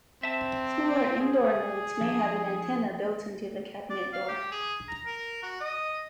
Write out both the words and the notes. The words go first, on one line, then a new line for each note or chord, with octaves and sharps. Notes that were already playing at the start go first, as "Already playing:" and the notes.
Smaller indoor nodes may have an antenna built into the cabinet door.
C4 E5 A5
G#4
F3 D4
D5
F5
G4
G#4
A#5
A#4
F#4
D#5